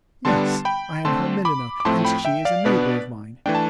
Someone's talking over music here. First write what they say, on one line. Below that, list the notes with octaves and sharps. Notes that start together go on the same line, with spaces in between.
"Yes, I am her milliner, and she is a neighbour of mine."
D3 G3 B3 D4 A5 C6
G5 B5
D3 A3 C4 A5 C6
B5 D6
D6
A2 F3 A3 C4 A5 C6
G5 B5
E5 G5
D5 F5
B2 B3 D4 B4 D5
E3 A3 D4 G5
A5